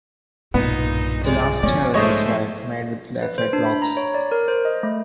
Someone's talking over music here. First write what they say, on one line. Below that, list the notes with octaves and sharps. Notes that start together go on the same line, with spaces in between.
The last terrace is wide, made with laterite blocks.
B1 G2 A#2 B3 D#4
F2 B2 G#3 D5
B2 F3 B3 C#4 D5
G#2 G#3 A3 C5 C#5 D#5
B4
C5
D4
B5
A#5
C#5
D5
A#4
C5
D#5
A3